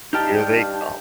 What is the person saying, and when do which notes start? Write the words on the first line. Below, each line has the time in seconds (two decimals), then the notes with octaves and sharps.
Here they come.
0.13 G2 D#4 G4 G5 A5 F6 G6